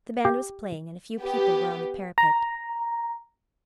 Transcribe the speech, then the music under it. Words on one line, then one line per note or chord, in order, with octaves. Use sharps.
The band was playing, and a few people were on the parapet.
G4
B3 G4
A#5